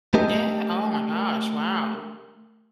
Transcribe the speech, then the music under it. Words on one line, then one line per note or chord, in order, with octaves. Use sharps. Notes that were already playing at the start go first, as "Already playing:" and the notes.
Yeah, oh my gosh, wow.
A3 D4 G4 A4 A#4 D#5